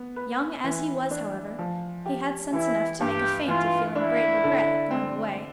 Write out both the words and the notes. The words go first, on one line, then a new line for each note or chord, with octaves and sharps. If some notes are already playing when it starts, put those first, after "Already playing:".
Young as he was, however, he had sense enough to make a feint of feeling great regret at going away.
Already playing: B3
B4
E3
D4
F3
G4
E3 E4
G2 G4
E3 F4
D4 E4
D3
C4